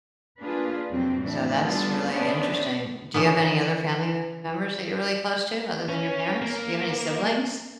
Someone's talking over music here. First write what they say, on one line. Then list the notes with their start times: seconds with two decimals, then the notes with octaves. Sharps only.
So, that's really interesting. Do you have any other family members that you're really close to, other than your parents? Do you have any siblings?
0.42 A#3 D4 F4 G#4 B4
0.90 F2 C3 F#3 C4
1.21 A2 E3 D4
1.63 G3 B3 D4 F4 A4
2.06 B3 C#4 D4 C5 E5
3.14 C#3 E3 F3 B3
5.89 C#4
6.42 A#3